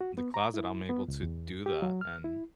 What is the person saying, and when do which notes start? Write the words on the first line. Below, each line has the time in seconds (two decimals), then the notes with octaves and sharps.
the closet, I'm able to do that, and
0.01 F#4
0.18 B3
0.34 A#5
0.54 E4
0.90 B3
1.08 C#2
1.23 E2
1.66 G4
1.82 F#3
2.01 F6
2.24 E4